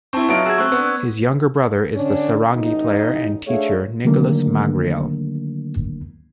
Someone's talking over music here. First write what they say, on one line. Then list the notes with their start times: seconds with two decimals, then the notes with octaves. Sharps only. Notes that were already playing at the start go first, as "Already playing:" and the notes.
His younger brother is the sarangi player and teacher Nicolas Magriel.
0.13 C4 E4 A5 C#6
0.29 F#3 B3 D#4 F4 E5 D7
0.46 F#4 G#4 A5 E6 G#6
0.58 A3 C4 C#6 E6 F#6
0.72 B3 C4 D4
1.95 D3 C#4 D4
2.54 A1 D#4
3.47 A3 D4 G#4 C#5 E5 F5
4.05 D3 D#3 F#3 A3 A#3 D4